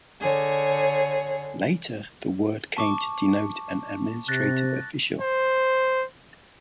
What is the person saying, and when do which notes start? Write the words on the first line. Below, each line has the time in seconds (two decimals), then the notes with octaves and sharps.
Later the word came to denote an administrative official.
0.20 D3 G#4 C#5
2.77 A5 C#6 D6
4.28 C3 F#6 A6 A#6
5.21 C5